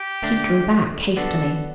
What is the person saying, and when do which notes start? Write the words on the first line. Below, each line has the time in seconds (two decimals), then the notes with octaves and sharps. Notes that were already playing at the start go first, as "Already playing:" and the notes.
She drew back hastily.
Already playing: G4
0.23 D3 A3 D4
1.16 D3 F#3 B3 D4 A4